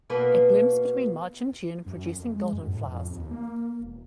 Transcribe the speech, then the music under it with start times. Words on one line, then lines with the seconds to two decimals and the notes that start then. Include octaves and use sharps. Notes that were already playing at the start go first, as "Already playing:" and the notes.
It blooms between March and June producing golden flowers.
0.10 B2 A#3 B4
1.86 F#2
2.16 F2
2.34 G#3
2.53 F#2
2.67 A2
2.85 F2
3.11 D#2
3.31 A#3
3.80 E1